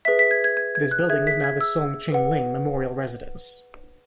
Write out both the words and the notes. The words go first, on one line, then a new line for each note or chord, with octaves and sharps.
This building is now the Soong Ching-ling Memorial Residence.
G#4 B4 E5 B6
B6
G#6
G#6
G#6
G#6
F#6
G#4 E5 G#6
B6
G#6
E6
B4 F#5